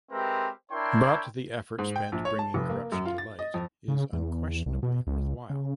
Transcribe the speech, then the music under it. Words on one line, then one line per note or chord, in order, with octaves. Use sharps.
But the effort spent bringing corruption to light is unquestionably worthwhile.
G#3 C4 G4 A#4 B4 E5
D4 E4 A#4 C#5 G5 C6
G#2
G5
A#1
C#5
A5
F1
A#3
F#2
F4
A6
D#5
F2
C#3
E2
C2
B2
C#2
C#3